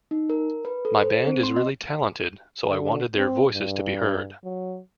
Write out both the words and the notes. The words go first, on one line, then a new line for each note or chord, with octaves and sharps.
My band is really talented, so I wanted their voices to be heard.
D#4
A#4
B4
A4
C5
C4
C6
D#5
D3
C4
G2
F#3